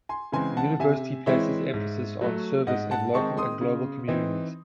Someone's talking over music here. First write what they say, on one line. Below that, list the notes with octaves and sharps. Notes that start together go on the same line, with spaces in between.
The university places emphasis on service in local and global communities.
G#5 C6
C#3 E3 G#3 C4 G#5 C6
F#5 A5
C3 E5 G#5
E3 G#3 C4 E4 C#5 E5
G#2
F#3 A3
G#2 D#5 F#5
F#5 A5
D#3 G#3 C4 D#4 A5 C#6
C6 D#6
C#3
E3 C4 D#4